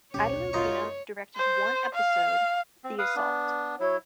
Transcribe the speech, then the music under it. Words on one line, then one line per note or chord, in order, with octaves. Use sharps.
Ida Lupino directed one episode, "The Assault".
D#1 B1 C#4 G4 C#5
F#2 D#4 F4 C#6
C5
F5
C4
B4 F5 D#6
B3 D4
F#3 E4 C#5